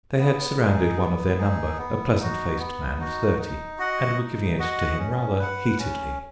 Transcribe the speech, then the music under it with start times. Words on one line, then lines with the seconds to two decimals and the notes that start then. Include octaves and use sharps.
They had surrounded one of their number, a pleasant-faced man of thirty, and were giving it to him rather heatedly.
0.18 B3
0.58 D#4 G#4
0.98 B3
1.38 D#4 G#4
1.78 B3
2.18 D#4 F#4
2.59 B3
2.98 D#4 F#4
3.39 D#4
3.78 F#4 D#5 F#5
4.18 D#4
4.58 F#4 D#5 F#5
4.99 C#4
5.38 B4 F#5
5.79 C#4